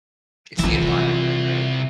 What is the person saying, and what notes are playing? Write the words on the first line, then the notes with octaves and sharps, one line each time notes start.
It's the environment you're in, right?
C3 E3 E4 F4